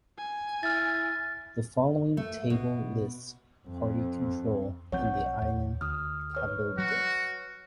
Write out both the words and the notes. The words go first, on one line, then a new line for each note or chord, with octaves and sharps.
The following table lists party control in the Island Cabildos.
G#5
E4 F6 A6
A3
B2
F2
B1 F3 C4 C#5 F#5 G6
D#2
D2 D#6 F6
B4 C#5 F6
F#3 F#4